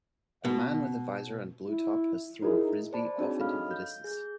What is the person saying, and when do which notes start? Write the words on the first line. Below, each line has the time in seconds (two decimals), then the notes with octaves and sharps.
A man with a visor and blue top has thrown a Frisbee off into the distance.
0.45 B2
1.69 E4
2.42 D#4 E4 G#4 A#4
2.93 C5 D5 A5 B5
3.18 C4 D4 D#4 F#4 G#4 C#5
3.40 A4 D#5 F5 B5 F6
3.71 G6
4.04 G#4 G6